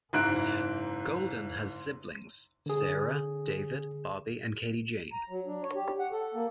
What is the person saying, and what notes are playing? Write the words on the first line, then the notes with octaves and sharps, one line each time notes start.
Goldin has siblings: Sarah, David, Bobby and Katie-Jane.
F#1 G#2 E4 A#5 F#6 D7
D3 G#4
A#5
F#3
D4
C#5
G4
F#5
A4
A#3